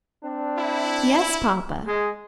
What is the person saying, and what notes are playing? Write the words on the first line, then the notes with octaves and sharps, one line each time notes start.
"Yes, papa."
C4 D4
E4
G#3